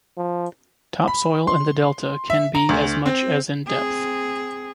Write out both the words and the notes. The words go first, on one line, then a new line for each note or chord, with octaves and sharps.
Topsoil in the delta can be as much as in depth.
F3
B5
C6
E5
A#5
D2
C4
C4 G#4